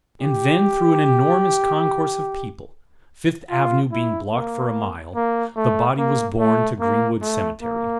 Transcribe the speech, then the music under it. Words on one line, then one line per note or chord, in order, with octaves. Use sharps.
And then through an enormous concourse of people, Fifth Avenue being blocked for a mile, the body was borne to Greenwood Cemetery.
G4
F4
E4
A#3
A#3
A3
A#3
A3
A#3
A3
A#3